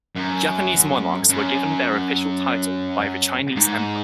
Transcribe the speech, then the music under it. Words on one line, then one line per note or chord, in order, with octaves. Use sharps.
Japanese monarchs were given their official title by the Chinese emperor.
F#2
F#2
G#2